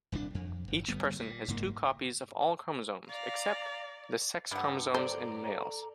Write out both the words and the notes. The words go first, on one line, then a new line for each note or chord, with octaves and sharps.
Each person has two copies of all chromosomes, except the sex chromosomes in males.
D#1 C2 D3 D4
F2
G1
G1 G3 B3
A#2
F#1 G#2 A#3
D5 F5 A#5
G2 F#5 G5
A4 C5 D5 A#5